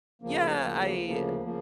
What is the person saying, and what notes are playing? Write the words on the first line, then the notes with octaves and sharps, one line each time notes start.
Yeah, I
D2 C#3 F3 A#3
D2 C#3 F3 A#3
D2 C#3 F3 A#3
C#3 F3 A#3